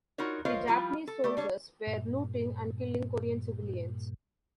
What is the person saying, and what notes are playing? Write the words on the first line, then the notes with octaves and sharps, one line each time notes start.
The Japanese soldiers were looting and killing Korean civilians.
D#4 F4 F#4 A#4 C#5
F4 A#4 C5 C#5 D#5 F5
F3 G3 E4 F4
A4
A3 G4 D5
G3 D4 C#5
G2 A#2